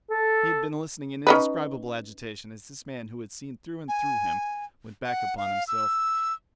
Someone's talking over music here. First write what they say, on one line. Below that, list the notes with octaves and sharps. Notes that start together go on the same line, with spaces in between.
He had been listening in indescribable agitation, as this man who had seen through and through him, went back upon himself.
A4
C#4 D#4 B4
G#5
F#5
F5
E6